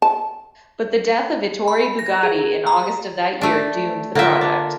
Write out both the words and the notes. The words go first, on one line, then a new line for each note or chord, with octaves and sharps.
But the death of Ettore Bugatti in August of that year doomed the project.
A5
B5
A#6
G#4
A#5
A3 D4
D3 A#3 F4 E5 G5
D4